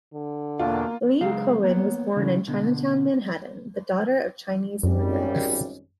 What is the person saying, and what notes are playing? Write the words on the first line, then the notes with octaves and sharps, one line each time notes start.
Ling-Cohan was born in Chinatown, Manhattan, the daughter of Chinese immigrants.
D3
E2 B2 A#3 D4 F4
C#2 F#3 G#3 G#4 F5
A#3 B3 C#5
C#3 E3 A3
B2 D3
G#1 F#2 G3 C#4